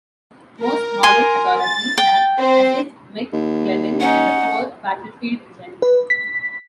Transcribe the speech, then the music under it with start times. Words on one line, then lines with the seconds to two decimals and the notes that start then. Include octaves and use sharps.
Most modern authorities have assessed McClellan as a poor battlefield general.
0.61 A#4
1.03 G#5 C6
1.62 A6
1.98 G5
2.37 C4 C5
3.33 D#2
4.00 C#4 D#4 F#5
5.82 B4
6.10 B6